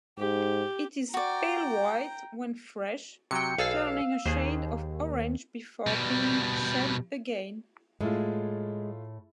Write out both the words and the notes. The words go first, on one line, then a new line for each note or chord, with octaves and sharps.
It is pale-white when fresh, turning a shade of orange before being shed again.
G#2 G4
F#4 D5 G5 A#5
C3 F#3 G5 C#7
B1 G#4 A4 F5 E6 F6
D#2 G#4 C5
B2 G3
A2 G#3 A3 E4 F4